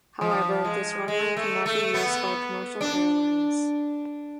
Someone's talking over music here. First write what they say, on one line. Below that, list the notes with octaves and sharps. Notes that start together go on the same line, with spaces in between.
However, this runway cannot be used by commercial airlines.
F3
G#3
G#3
A3
A3
B3
D4